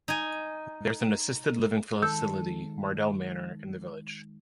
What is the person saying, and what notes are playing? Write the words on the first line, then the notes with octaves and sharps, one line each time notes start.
There is an assisted living facility, Mardell Manor, in the village.
D#4 G#5
D#3 G#3 A4 E6 G6